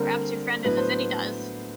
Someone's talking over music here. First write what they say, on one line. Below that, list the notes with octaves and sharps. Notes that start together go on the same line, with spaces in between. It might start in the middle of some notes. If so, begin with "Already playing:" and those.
Perhaps your friend in the city does.
Already playing: D3 G3 A#3 C4 A#4
A2 F#3 B3 D4 B4
C5